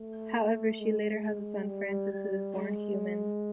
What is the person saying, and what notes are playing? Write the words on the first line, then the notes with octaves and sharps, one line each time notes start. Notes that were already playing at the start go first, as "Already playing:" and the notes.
However, she later has a son, Francis, who is born human.
Already playing: A3
G#3
G3
G3
G#3